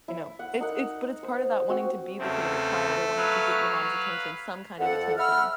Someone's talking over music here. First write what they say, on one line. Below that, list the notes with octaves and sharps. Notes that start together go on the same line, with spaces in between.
you know. It's it's but it's part of that wanting to be the favorite child or wanting to get your mom's attention, some kind of attention,
E4
F#5
D#4 A#4 F#5
C5
C4 F#4
E2 C#3 A3 C4
F#3 B4 F5 B5
F2 A4 F#5
E5 F#5 B5 E6 F6